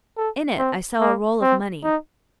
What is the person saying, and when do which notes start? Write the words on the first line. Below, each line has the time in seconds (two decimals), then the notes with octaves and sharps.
In it I saw a roll of money.
0.17 A4
0.59 C4
1.00 A#3
1.42 C4
1.84 D#4